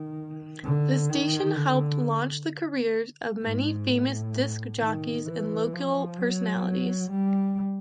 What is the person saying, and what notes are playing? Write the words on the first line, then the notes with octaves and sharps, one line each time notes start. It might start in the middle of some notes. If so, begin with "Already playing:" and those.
The station helped launch the careers of many famous disc jockeys and local personalities.
Already playing: D#3
D3
D#3
D3
G#2
A2
D#3
E3
F3
F#3
G3